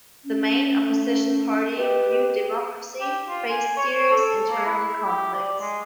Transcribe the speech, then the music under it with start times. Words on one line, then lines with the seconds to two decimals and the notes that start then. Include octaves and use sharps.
The main opposition party, New Democracy, faced serious internal conflicts.
0.25 C#4
0.75 A3
1.77 G4 B4 D#5
3.01 G4
3.29 F4
3.50 G#5
3.77 C#5
4.11 A4
4.50 A#3
4.66 E4
5.07 G4
5.34 D5
5.61 G#3